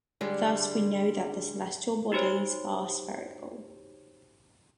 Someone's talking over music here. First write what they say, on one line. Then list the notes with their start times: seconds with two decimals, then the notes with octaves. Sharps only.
Thus we know that the celestial bodies are spherical.
0.21 D3 G3 G#3
2.12 D#4 F#4 G4 C5 C#5